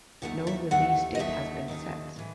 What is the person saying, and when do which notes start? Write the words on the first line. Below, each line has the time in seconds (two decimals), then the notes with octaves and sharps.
No release date has been set.
0.22 D#2 D#3 A3 F#5
0.47 E5
0.71 D#2 D#3 A3 F#5
1.15 D#5
1.19 D#2 D#3 A3 E5
1.68 D#2 D#3 A3
2.16 A2 E3